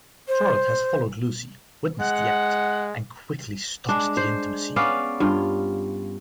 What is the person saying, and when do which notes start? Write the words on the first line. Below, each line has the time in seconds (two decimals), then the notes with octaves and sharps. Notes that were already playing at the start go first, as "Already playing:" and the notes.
Charlotte has followed Lucy, witnesses the act, and quickly stops the intimacy.
0.28 C5
2.00 G#3 F#5
3.89 G#3 D4
4.17 C5
4.76 B3 C#4 D5 F5
5.20 G2 F4